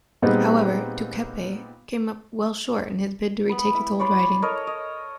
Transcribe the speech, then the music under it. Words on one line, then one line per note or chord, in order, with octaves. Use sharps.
However, Duceppe came up well short in his bid to retake his old riding.
A#2 G3 G#3 B3 C4 D#4
B3 B5
E4
C#5 D5 B5 C6
A4 A#4 C#5 D#5
D#5